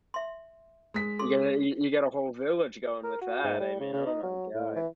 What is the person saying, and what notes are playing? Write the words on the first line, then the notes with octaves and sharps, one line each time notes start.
Yeah, you you got a whole village going with that, I mean, oh my god.
E5 C6
G#3 B6
G#4 A4 C6
A#4
F#4
G#2
G3
C#3
C#3
D#4
F#3
A2
E3